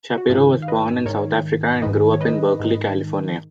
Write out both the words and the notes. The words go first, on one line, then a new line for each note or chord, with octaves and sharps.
Shapiro was born in South Africa and grew up in Berkeley, California.
F#4
G#2 D#3 F4 G#4
F5
B4 D#5
G#2 D#3 A#4 C#5
G#2 D#3 B4 D#5
C#5
B4 D#5
G#2 D#3